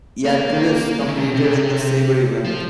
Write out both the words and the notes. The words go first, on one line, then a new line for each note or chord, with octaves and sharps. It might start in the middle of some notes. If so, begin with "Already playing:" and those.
Iatridis competed in the sabre event.
A#3
G#3
D3
C3
B2
C3
C#3
C3
F3